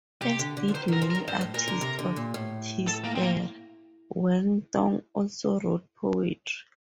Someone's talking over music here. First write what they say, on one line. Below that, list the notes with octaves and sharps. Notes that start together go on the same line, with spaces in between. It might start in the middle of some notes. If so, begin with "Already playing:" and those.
As did many artists of his era, Wen Tong also wrote poetry.
C3 G4
D3
D3
F3
D#3 C5
D#3 A#4
F3
A#4
D#3
G2 C5
A2
A#2 A#4
D3
C3
D3
A#2
A2
A4
A#3
C4
A#3